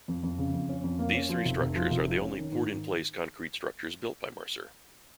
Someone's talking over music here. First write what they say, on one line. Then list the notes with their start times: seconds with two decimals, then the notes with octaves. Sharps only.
These three structures are the only poured-in-place concrete structures built by Mercer.
0.08 F2
0.23 F2
0.38 C#3
0.54 F2
0.69 C#4
0.84 F2
0.99 A#3
1.14 C#4
1.29 F3
1.45 F1
1.60 F1
1.76 F3
1.91 F1
2.06 F3
2.21 C#4
2.37 D#3
2.52 G#2
2.67 D#3